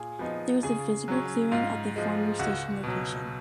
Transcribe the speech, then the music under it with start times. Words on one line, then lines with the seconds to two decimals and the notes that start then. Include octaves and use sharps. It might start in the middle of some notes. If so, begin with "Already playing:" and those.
There is a visible clearing at the former station location.
Already playing: A#2 G#4 G#5
0.19 F3 B3 D#4
0.63 C#3 G#4 G#5
1.08 F#3 C#4
1.51 G#2 F4 F5
1.96 F3 G#3
2.39 C#2 F#4 F#5
2.84 B2 F#3